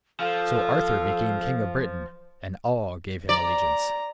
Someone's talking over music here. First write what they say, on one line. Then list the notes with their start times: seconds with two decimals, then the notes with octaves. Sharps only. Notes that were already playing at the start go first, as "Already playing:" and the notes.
So Arthur became king of Britain, and all gave him allegiance.
0.20 F3 A4 F5
3.29 D5 A#5